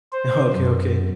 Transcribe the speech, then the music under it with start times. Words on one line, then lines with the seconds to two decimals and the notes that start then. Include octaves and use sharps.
Okay, okay.
0.13 C5
0.54 F#2